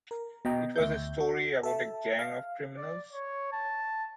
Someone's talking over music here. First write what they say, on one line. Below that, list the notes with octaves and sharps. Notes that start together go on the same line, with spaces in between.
It was a story about a gang of criminals.
A#4
B2 D#5 G5 A#5
D2 E5 G6
F#4
A4 E5 A5
F5
D5
C#5
A5